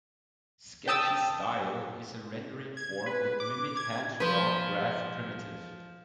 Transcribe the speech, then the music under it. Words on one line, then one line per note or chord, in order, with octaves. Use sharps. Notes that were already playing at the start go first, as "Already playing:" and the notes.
Sketchy style is a rendering form that mimic hand-drawn graph primitive.
G5 A5 D#6 E6 A6
G#6
B4
D6
G#6
F3 B4 C5